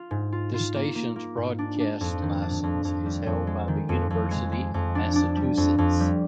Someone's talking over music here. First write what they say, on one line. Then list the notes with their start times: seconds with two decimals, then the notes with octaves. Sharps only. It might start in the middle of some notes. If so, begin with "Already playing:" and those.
The station's broadcast license is held by the University of Massachusetts.
Already playing: F4
0.11 G#2
0.32 F4
0.54 F4
0.74 A#3
0.95 A#3
1.16 A#3
1.37 G#2
1.59 D4
1.80 D4
2.01 F2
2.22 D#3
2.42 D4
2.64 F2
2.85 F2
3.06 G3
3.26 F2
3.47 G#3
3.68 D#3
3.89 F2
4.10 F2
4.31 G#3
4.52 G#3
4.74 F2
4.95 D4
5.15 D4
5.36 G3
5.57 F2
5.78 F2
6.00 G3